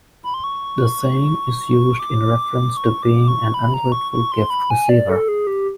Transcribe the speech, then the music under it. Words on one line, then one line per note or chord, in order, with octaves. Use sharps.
The saying is used in reference to being an ungrateful gift receiver.
B5
C6
C#6
D6
C#6
D6
C#6
B5
A#5
C#6
C#6
C6
B5
G#5
D5
A4
G#4
G4